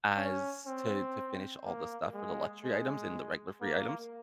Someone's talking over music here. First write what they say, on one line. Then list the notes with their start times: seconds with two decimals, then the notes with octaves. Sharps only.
as to to finish all the stuff for the luxury items and the regular free items,
0.17 C#4
0.67 C4
1.65 A#3
2.14 G#3
2.63 G#3
3.61 A#3